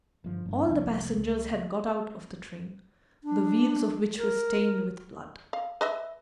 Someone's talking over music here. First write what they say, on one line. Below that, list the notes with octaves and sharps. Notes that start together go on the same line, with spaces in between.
All the passengers had got out of the train, the wheels of which were stained with blood.
G1 F3
G1 G2
F1 C2 F3
C#2
D4
A#4
F5
B4 D#5 E5